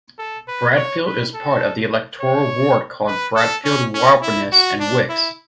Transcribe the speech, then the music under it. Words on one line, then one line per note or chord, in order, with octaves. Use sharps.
Bradfield is part of the electoral ward called Bradfield, Wrabness and Wix.
A4
B4
C#5
B4
A4
C#5
B4
A4
C#4
C#4
E4
F#4
D4
E4